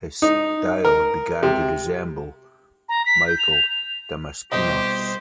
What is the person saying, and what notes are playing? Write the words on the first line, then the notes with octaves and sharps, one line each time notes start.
His style began to resemble Michael Damaskinos.
D#4
A#4
C3
A#5
B6
G6
F7
C2 B2 G4 C5 D#5 G5